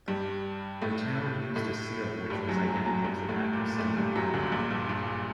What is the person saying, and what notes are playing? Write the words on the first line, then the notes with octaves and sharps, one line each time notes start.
The town used a seal which was identical to that of Skien.
G2 G3
A2 A3
A2 A3
G2 G3
F#2 F#3
F#2 F#3
F#2 F#3
G2 G3
A2 A3
A#2 A#3
A2 A3
G2 G3
F#2 F#3
D2 D3
A#1 A#2
G2
G2